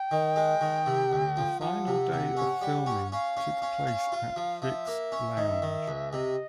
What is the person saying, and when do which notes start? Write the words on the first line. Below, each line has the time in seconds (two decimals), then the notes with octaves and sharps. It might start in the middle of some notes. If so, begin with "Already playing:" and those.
The final day of filming took place at Vic's lounge.
Already playing: G5
0.11 D#3
0.36 G#3
0.61 D#3
0.86 C3
1.12 D2
1.37 F3
1.61 F3 F#5
1.87 C3
2.12 C3
2.37 C#4
2.61 G3
2.86 C#4
3.12 C#4 F5
3.37 C#4
3.62 C#4
3.87 C#4
4.12 F4
4.36 F3
4.61 F3 E5
4.87 A#3
5.12 C#4
5.37 D#3
5.62 D#3
5.88 C#2
6.13 C3 D#5